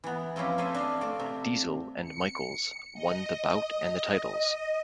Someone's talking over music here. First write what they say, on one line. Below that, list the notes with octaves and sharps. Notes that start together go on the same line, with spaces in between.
Diesel and Michaels won the bout and the titles.
E3 B3
F3 C4 C#4 E4 G4
E4 A4 C5 E5 G#5
D4 D#5 F5
A3 C4 A4 D5
C3
C#7
D#5